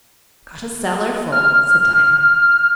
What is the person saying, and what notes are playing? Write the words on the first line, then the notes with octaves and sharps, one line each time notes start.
"Got a cellar-full," said Diva.
F6